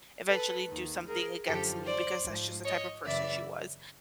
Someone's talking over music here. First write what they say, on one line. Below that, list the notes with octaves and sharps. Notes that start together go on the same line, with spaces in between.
eventually do something against me because that's just the type of person she was,
A4 B4
D#2 D#3
G#4 A#4
F#2 D3 F3 G4 A4
C5 D5
G#2 F3
C#5 D#5
F#2 C#3 E3 D5 E5